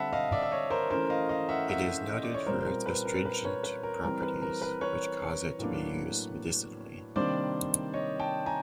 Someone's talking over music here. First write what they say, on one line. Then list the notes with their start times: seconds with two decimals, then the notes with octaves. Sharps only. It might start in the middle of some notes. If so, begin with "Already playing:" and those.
It is noted for its astringent properties, which cause it to be used medicinally.
Already playing: D3 G3 C4 E5 F#5 A5 B5
0.13 D#5 F5
0.32 D5 E5
0.42 E5
0.51 C#5 D#5
0.70 A#4 C5
0.90 E3 A3 C#4 A#4 C5
1.10 D#5 F5
1.29 D#5 F5
1.49 E5 F#5
1.68 E5 F#5
2.10 D#5
2.23 D5
2.34 C#5
2.46 A#2 G3 C4 A#4 C5
2.66 A#4
2.86 B4
3.05 A#4
3.25 B4
3.44 B4 C#5
3.63 B4
3.83 A#4
4.03 E3 G3 C4 A#4
4.22 B4
4.42 A#4
4.62 B4
4.81 B4 C#5
5.59 A2 F#3 A#3 D4
7.16 C3 D#3 G3 A#3 D4 C5 D5
7.94 C#5 D#5
8.19 G5 A5
8.46 G#5 A#5